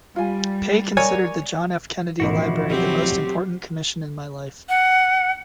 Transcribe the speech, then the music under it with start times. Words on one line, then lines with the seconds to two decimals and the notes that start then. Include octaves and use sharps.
Pei considered the John F. Kennedy Library the most important commission in my life.
0.16 G3 F4 G#5
0.97 A#4 C#5 D5 G#5
2.20 E1 A1 F3 E4 F#4
2.70 F#3 C4 G4
4.69 F#5